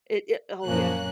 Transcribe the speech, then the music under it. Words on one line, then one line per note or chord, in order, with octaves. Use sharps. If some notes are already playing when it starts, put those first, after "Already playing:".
It it Oh, yeah.
F#2 A#2 F3 A#3 C#4 F#6